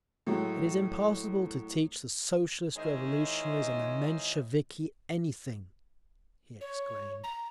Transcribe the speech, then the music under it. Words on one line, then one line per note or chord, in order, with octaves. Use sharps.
"It is impossible to teach the Socialist Revolutionaries and the Mensheviki anything!" he exclaimed.
A2 F#3 G#3
D#3 G#3 E4 C5 C#5 D#5
C#5
A#5